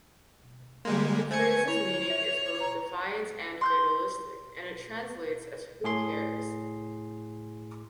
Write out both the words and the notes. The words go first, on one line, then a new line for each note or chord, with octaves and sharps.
The phrase's meaning is both defiant and fatalistic, and it translates as Who cares?
D3 G3 G#3 A#3 C6
A3 C5 G#5 G#6 C#7
E4 C#5 F7
E5
A#5
C6 F#6 G6
A2 G#4 C6